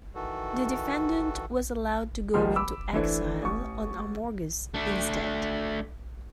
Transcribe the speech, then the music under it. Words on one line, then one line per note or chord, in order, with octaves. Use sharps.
The defendant was allowed to go into exile on Amorgos instead.
D#3 E3 F#4 A4
D#1 D#3 F3 G3 G#3 C6
B5 D6 E6
E3 A3 D4 E4 C5
A1 C#6
A3 D4